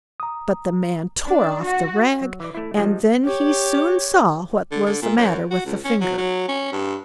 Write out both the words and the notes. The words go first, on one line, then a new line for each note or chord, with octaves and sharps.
But the man tore off the rag, and then he soon saw what was the matter with the finger.
A#5 D#6
D4
F#4
F#3
E3 D5
A3 E4
F3 G3 G#3 D4
G4 C#5
D3
D3
A#2
F#2
F#4
C#2
C#4
F#3
F#3
C#4
G2